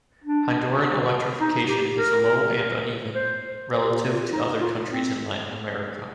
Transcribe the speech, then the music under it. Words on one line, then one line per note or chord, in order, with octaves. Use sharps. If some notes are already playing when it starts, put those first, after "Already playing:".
Honduran electrification is low and uneven relative to other countries in Latin America.
D4
D#4
G4
A#4
C5
C5
G4
F4
F4
D#4
F4
C4